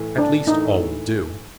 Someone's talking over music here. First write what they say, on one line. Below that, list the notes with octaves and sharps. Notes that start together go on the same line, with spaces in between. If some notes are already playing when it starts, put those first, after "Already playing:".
At least all will do.
Already playing: A2 E3 A3
D4
A2 E3 A3 D#4